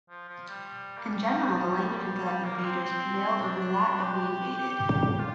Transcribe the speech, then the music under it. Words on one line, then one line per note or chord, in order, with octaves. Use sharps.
In general, the language of the invaders prevailed over that of the invaded.
F3
F3
G3
A#3
G3
G3
G3
A#3
C4
C4
D4
G4
F4